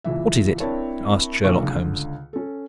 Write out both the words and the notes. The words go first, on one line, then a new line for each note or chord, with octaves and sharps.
"What is it?" asked Sherlock Holmes.
C#2 A#2 E3 E5
C4 D4 E4 A#4 C#5 A5
B1 D3 A#3 F4 F5 C#6
C#2 D3
C#4 A4